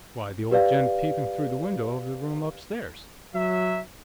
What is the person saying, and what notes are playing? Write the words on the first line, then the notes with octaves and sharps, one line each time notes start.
'Why the old gent peeping through the window of the room upstairs?'
G4 B4 D5 F5
F#3 E5